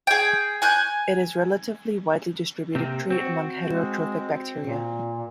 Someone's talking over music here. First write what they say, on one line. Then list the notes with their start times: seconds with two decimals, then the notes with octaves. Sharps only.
It is relatively widely distributed trait among heterotrophic bacteria.
0.07 G#4 G5
0.62 G#5 F#6 G6
2.75 C3 A#3 C4
3.10 C4 F#4
3.68 G#3
4.62 A#2